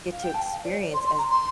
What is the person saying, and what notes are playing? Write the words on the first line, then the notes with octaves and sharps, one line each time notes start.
get to experience as
F5
G5
A5
F5
D5
C5
D5
C6
C6
A#5
C6